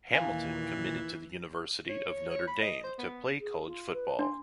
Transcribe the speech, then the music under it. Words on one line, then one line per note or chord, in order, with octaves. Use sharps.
Hamilton committed to the University of Notre Dame to play college football.
D#2 A#2 D#3 E3 F5 G#5
C#5
C#5
B5
D#5
C5
B3
G#4
F4
B4
D4 C6